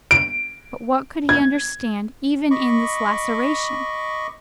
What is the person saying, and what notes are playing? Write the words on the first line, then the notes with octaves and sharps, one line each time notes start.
But what could he understand even in this "laceration"?
D7
G#6
D#5 B5 C#6 D6